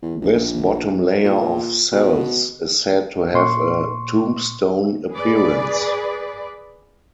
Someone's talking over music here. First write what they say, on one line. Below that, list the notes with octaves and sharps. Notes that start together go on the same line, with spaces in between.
This bottom layer of cells is said to have a "tombstone appearance".
E2
A#1
A#2
B2
A#2 C6 C#6
G#4 B4 D5